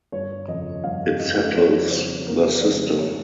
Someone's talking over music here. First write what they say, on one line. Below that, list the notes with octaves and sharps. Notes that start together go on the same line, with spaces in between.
It settles the system.
G1 C#5
F2 C#3 D#5
G1 F5
F2 C#3 D#5
F2 C#5
C#3 G3 C4 C5
F2 A#4
C#3 G3 C4 C5
G#2 C#5